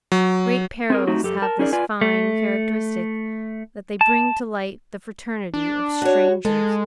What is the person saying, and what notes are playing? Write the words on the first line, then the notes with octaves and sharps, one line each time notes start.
Great perils have this fine characteristic, that they bring to light the fraternity of strangers.
F#3
C4 G#4 A#4
A3 C4 D#4 F#4 G4
F#2 G4 A4
A#4 A5
C#4 D#4 G#4 A#4 D5
F4 B4 D5 G#5
A3
A5
D4
F#4 C#5
G#3 A4